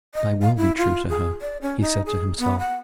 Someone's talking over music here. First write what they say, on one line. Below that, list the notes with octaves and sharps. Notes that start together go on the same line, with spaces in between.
"And I will be true to her," he said to himself.
D#5
F5
E4
F4
G#4
D5
C#4
D#4
G#4
B3
F#5